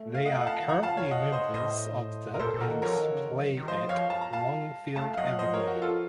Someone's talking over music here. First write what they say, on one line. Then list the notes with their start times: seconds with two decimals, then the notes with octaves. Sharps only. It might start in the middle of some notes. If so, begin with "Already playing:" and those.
They are currently members of the and play at Longfield Avenue.
Already playing: A3
0.14 F5
0.26 D#5 F#5
0.41 F#5
0.47 F5 A5
0.60 D#3
0.68 F3 F#5 A#5
0.83 F5 A5
0.90 C#3
0.97 C#5 F5
1.11 D#5 F#5
1.32 C5 D#5
1.54 A2 C5 D#5
2.34 A#4
2.39 A#2 A4 C5
2.54 A#2 A4
2.61 F#4 A#4
2.68 D#3
2.82 F3 A#4 C#5
2.97 D#3
3.11 C#3
3.26 D#3
3.39 F#3
3.57 D#3
3.68 F3 C5 D#5
3.85 F#3
3.89 F3 C#5 F5
4.10 A5
4.21 A#5
4.33 F5 A5
4.96 A3 F5 A5
5.14 F5
5.17 F#3 D#5 F#5
5.29 F5
5.39 F3 C5 D#5
5.54 A#4 C#5
5.67 F#4
5.82 F4 A4